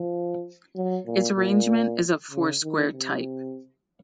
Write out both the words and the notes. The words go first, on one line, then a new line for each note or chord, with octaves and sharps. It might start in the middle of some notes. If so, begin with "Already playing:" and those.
Its arrangement is of foursquare type.
Already playing: F3
F#3
A#2
A#2
C#3
D#3
C3